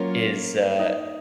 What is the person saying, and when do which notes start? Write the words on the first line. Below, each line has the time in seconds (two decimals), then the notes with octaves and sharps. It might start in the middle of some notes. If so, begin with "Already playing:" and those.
is, uh
Already playing: F#3 A#3 C#4 F4 A#4 C#5
0.79 D#4